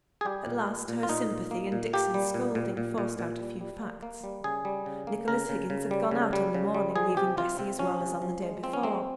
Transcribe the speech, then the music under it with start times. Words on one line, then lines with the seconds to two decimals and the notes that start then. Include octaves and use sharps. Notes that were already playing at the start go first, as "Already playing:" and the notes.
At last, her sympathy, and Dixon's scolding, forced out a few facts. Nicholas Higgins had gone out in the morning, leaving Bessy as well as on the day before.
0.21 G#4
0.25 G3 G4
0.46 A#2
0.67 A#2
0.88 A#2
1.03 F4
1.09 A#2 D#4
1.30 A#2
1.51 A#3
1.72 A#2
1.93 A#3 G4
2.14 G3
2.34 A#2
2.55 A#2
2.77 A#2
2.98 A#2
3.19 A#2
3.40 G3
3.61 G3
3.82 A#3
4.03 A#3
4.24 G3
4.44 C#3 G#4
4.65 G3
4.86 C#3
5.07 A#3
5.28 C#3 A#4
5.49 C#3
5.70 C#3
5.91 G3
6.11 C#3
6.33 G3
6.54 C#3
6.75 G3
6.96 F3 G#4
7.17 C3 G4
7.37 C3 F4
7.59 C3 C4
7.79 F3 C#4
8.01 C3
8.22 F3
8.42 G#3
8.63 F3 C4
8.73 C#4
8.83 G#3 C4